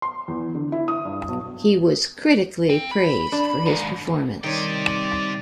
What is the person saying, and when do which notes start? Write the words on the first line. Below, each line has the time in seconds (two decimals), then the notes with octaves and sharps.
He was critically praised for his performance.
0.02 C6
0.28 E2
0.55 D3
0.72 E4
0.88 D#6
1.05 G2
1.28 B1
2.70 C4
2.91 B5
3.32 D4
3.66 D#2 G#2
4.44 C3 D#3 G3 D#4 C#5 D5 G5 C6